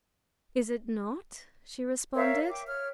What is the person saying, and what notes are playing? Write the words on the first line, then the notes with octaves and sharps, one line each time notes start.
"Is it not?" she responded.
A#4 C#5 E5 F5
G5 D6
C#5 F6